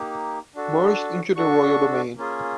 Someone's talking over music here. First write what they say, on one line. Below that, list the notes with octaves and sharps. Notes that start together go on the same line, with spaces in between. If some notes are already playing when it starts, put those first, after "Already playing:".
Merged into royal domain.
Already playing: A#3 D#4 G4
D4 F#4 A4
D4 F#4 A4 C#6
A#3 C#4 F4 G#4